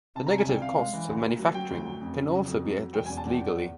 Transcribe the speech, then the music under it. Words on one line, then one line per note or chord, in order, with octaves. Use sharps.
The negative costs of manufacturing can also be addressed legally.
C3 A5
A#5
C3
G#5
C2 G5
C3 F5
G#3
E3
D2
A#3
F#3
F#3 G5
D2
F#3
F2
C#3
F#3
F2
F#3
F#3
E1 G5
G#5
E2
A5
E2 G5
E2